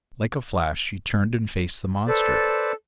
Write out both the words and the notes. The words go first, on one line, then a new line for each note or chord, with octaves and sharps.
Like a flash she turned and faced the monster.
A4 B4 C5 D5